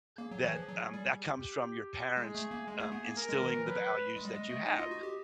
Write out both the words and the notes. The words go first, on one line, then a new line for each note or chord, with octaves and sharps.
that um, that comes from your parents, um, instilling the values that you have,
A#3 G#4
F#3
E3
F3
F#3
G3
G4
G#3 G#4
A3
A#3
G#3 G#4
A3
B3
A#3
A#4
G#3
D#3
E3
F#3 B4
G#3 D#5
G3
G#3
A3
D#4
F4
F#4
G4